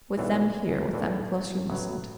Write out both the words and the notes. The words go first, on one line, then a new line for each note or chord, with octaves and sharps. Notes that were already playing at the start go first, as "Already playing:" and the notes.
With them here, with them close, you mustn't.
B1 A2 E3 D4 A4
B1 A2 E3 D4 A4
A1 A2 F#3 B3